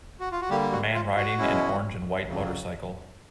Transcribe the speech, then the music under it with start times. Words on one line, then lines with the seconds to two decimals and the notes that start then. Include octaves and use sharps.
A man riding an orange and white motorcycle.
0.20 F#4
0.32 F4
0.41 F#4
0.50 D3 G3 A#3 G4
0.72 F#4
0.94 F4
1.16 F#4
1.38 B2 G#3 C#4 E4
2.28 F2 C#3 F#3